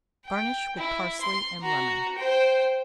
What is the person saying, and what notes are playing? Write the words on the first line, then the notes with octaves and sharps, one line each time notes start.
Garnish with parsley and lemon.
G5
E4
C6
F#4 A#5
C5 G5